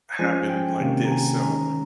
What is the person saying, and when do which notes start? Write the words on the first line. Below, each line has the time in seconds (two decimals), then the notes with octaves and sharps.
happen like this, so
0.19 F3 G#3 C#4 G#5
0.49 G5
0.80 C3 D#3 A#3 C#4
1.05 A#5
1.11 G#5
1.41 D#3 G#3 C#4 A#5